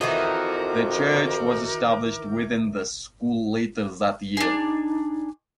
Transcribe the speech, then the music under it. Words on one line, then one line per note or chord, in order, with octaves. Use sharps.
The church was established within the school later that year.
F2 D#3 E3 D#4 F#4 A#4 D6 G6
D4 D#4 G#4